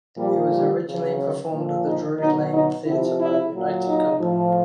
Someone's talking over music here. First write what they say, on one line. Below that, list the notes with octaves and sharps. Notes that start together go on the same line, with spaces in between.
It was originally performed at the Drury Lane Theatre by the United Company.
A#2 F3 G3
G3
C#3 F#3
C#4
A#2 F3
D#4
B2 F#3 D#4
D#4
C3 F3 E4
E4
A#2 F#3
D#4
A2 F3